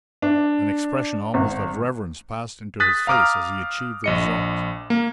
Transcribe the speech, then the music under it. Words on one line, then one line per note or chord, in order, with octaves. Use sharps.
An expression almost of reverence passed into his face as he achieved the result.
D4
G#1
D#6 F#6 A6 B6
F5 A#5 D6 D#6 F6
A#1 D#5 C#7
A#3